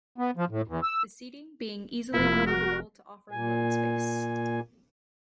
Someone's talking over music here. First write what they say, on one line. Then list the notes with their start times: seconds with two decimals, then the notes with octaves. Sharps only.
The seating being easily removable to offer load space.
0.18 B3
0.37 F3
0.50 A2
0.67 E2
0.83 E6
2.14 F1 A#3 E4 F4
2.47 F#4 A#4
3.31 A#2 G#5